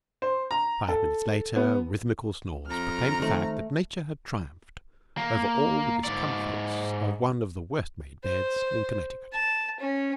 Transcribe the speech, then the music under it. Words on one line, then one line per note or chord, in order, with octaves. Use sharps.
Five minutes later rhythmical snores proclaimed the fact that nature had triumphed over all the discomforts of one of the worst-made beds in Connecticut.
C5
A#5
A4
B3
F2 A#5 F6
D#3 A3 D#4 C5
A#3
G#2 D5
C5
A5
C#4